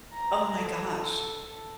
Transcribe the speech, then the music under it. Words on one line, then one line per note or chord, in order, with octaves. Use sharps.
Oh my gosh.
A#5
A4